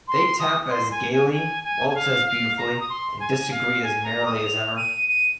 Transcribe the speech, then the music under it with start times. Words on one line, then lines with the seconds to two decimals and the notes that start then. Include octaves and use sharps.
They tap as gayly, waltz as beautifully and disagree as merrily as ever.
0.08 C6
0.40 D#6
0.62 D#6
0.70 C6
0.91 G#5
1.12 G#5
1.33 G#5
1.63 G#5
1.89 G#5
1.95 F5
2.26 F5
2.58 A#5
2.80 D#6
2.89 C6
3.20 G#5
3.51 F5
3.83 G#5
4.04 A#5
4.25 D#6
4.45 F7
4.77 D#7
5.08 D#7